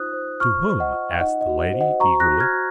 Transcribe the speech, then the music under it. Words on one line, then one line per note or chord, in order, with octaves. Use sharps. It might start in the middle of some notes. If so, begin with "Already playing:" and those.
"To whom?" asked the lady, eagerly.
Already playing: D#4 F4 C5 D#6 F#6
C5
F4 C#6 F6
C5
D#5 F#5
F4
D#4 D#5 F#5
D#5
F#4
C5
D#5 F#5
F#4 A#5 C#6
F#6 A#6
F#4
F6 G#6
F#4